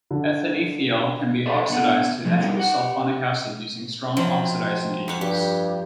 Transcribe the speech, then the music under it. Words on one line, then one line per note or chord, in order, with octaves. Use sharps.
Ethanethiol can be oxidized to ethyl sulfonic acid, using strong oxidizing agents.
D3
A4 B4 C5 D5
D3 B3 F#5
D3 F3 G#3 A3
F#3 G3 A3 C4 D4 D#4
G4 F#5
F3 F#3 C4
F2 F#5
G2 G4